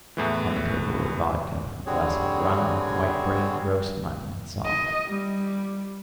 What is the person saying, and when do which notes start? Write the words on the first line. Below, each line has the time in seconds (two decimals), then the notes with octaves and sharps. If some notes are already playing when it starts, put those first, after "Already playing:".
On the table were vodka, a flask of rum, white bread, roast mutton, and salt.
0.17 E2 A2 E3
1.86 D3 G3 C4 F#4 G#4 C#5
4.66 D#5
5.07 G3